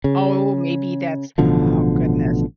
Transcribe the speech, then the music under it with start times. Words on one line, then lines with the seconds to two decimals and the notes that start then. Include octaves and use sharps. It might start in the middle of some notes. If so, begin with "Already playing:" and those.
Oh, maybe that's Oh, goodness.
0.04 C#3
1.38 A1 B2 D3 F3